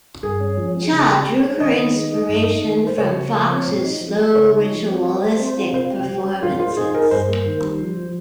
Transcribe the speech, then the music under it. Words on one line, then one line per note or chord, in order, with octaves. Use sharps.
Cha drew her inspiration from Fox's slow, ritualistic performances.
G2 G#4
C#4
F3
G#3
C#3
G4
G#3
C#4
D#3 D#5
D#3
G#3
D#4
G2
D#4
D#3
A#3
C5
C#3 C#5
C#3
F3
C4
A#2
D#4
F3
G#3
C#3 C#5
D#4
F3
C4
G3
C5
C4
F4
C3 C5
G4
G3
C#4
G#3 F4
F4 C5
D#4 G#4
G#4 A#4
G2 C5
A#3
D#3
G3
F3
F3